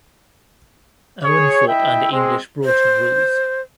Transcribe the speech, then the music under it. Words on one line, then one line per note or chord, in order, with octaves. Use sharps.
Owen fought under English Broughton rules.
G#4 C#5
E4 D#5 E5 G5
G#3 C4
C5